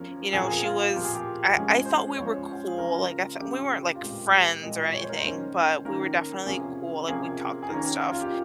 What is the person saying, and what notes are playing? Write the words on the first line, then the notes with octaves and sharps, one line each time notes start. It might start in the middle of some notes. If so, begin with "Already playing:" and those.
you know, she was I I thought we were cool, like I th we weren't like friends or anything, but we were definitely cool, like we talked and stuff,
Already playing: F3 A#3 C#4 A#4
A#2 F3 C4 G#4
A#4
G#4
F4
A#2 F3 C4 G4
G#4
G4
F3 G#3 C#4 G#4
C5
F3 G#3 C#4 C#5
G#4
C#3 F3 A#3 C#4 A#4
C#3 F3 A#3 C#4 G4
F4
A#2 G#3 C4 G4
G4
A#2 G#3 C4 D#5
C#5
C5
A#4
C5
D#3 A#3 C#4
D#3 A#3 C#4 A#4
C3 F3 A#3 C#4 G#4
C3 F3 A#3 C#4 G#4
G#4
D#3 A#3 C#4 A#4
F4
G4